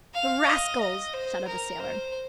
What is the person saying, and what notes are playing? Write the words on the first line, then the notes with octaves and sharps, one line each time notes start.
"The rascals!" shouted the sailor.
F5
D#5
D#5
C5
A#4
C5